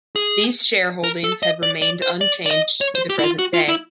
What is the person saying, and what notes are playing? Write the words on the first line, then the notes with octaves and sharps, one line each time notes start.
These shareholdings have remained unchanged to the present day.
G#4
A#4
A4
D#5
D5
D5
C5
D5
D5
D#5
C#5
C5
G4
E4
F4
F#4
F4
E4